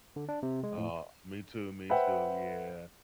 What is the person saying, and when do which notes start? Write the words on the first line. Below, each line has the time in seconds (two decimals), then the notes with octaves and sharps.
Uh, me too. Me too. Yeah.
0.16 D3
0.29 D4
0.43 C3
0.63 G#3
0.78 A2
1.90 B4 C5 E5 F#5 G5